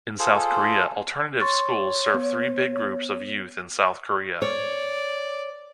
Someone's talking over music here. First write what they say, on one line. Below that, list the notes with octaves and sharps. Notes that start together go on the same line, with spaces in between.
In South Korea, alternative schools serve three big groups of youth in South Korea.
F4 G#4 A4 C5
C#5 C6 C#6 A6
B3
C#5 D5